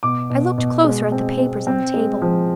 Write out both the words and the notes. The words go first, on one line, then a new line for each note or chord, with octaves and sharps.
I looked closer at the papers on the table.
B2 D6
B2
B2
G#3
C4
C4
C4
G#3
F3